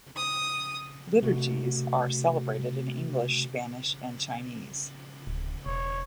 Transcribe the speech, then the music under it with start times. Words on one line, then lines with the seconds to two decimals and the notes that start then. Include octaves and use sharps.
Liturgies are celebrated in English, Spanish, and Chinese.
0.17 D#6
1.22 C3 A3 F#4
5.27 D1
5.66 E1 C#5